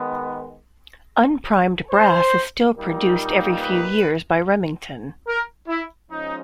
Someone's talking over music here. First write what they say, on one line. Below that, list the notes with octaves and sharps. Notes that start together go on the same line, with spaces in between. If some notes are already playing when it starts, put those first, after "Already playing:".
Unprimed brass is still produced every few years by Remington.
Already playing: D#3 G#3 B3
C5
A#2 G3 A#3 D#4
B4
A#4
E4
F3 G#3 C#4 D#4